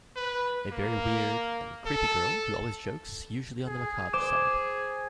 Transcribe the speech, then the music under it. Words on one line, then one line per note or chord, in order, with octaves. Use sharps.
A very weird, and creepy girl who always jokes usually on the macabre side.
B4
A#3
A4
G#4
C5 D6 E7